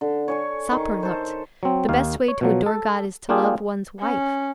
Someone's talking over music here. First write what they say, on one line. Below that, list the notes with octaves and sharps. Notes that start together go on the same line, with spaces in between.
Saperlotte! the best way to adore God is to love one's wife.
D3
C#5 G#5 C#6
D#3
A4 C5
F#3 C4
D#2 D#3 F5
C#5
B2 F3 F#3
A4
A#3 D4 F4 G4 G#4
C#4